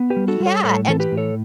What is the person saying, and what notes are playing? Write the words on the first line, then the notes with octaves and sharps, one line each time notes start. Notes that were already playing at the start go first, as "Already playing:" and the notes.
Yeah, and
Already playing: B3
G4 B4
G3
F#4 A4
G3
A4 C#5
A2 A4 C#5
E3 A4
G4 B4
A2
A4 C#5